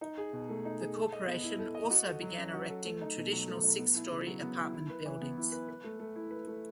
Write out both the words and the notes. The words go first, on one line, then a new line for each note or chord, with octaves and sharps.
The corporation also began erecting traditional six-story apartment buildings.
D#4
G#4
B2
A3
D#4
G#4
A4
D#5
B3
E4
A4
D#5
F#4
A4
F#3
C#4
F#4
A4
A3
D#4
B2
F#3
A3
D#4
B3
E4
C#3
F#3
B3
E4
E4
B4
E3
B3
E4
B4
B4
A3
A3
E4
B4
A3